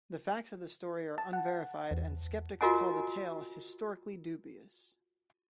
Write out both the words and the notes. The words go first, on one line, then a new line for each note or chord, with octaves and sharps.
The facts of the story are unverified, and skeptics call the tale "historically dubious".
A5
F#5
E2
F4 F#4 A#4 D#5 F#5 G#5